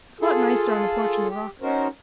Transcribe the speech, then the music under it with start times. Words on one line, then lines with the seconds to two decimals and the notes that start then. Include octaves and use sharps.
It's a lot nicer on the porch in the rocker.
0.21 F4 G#4 A4
1.29 G4
1.62 C#4 D#4 F#4 A#4 C5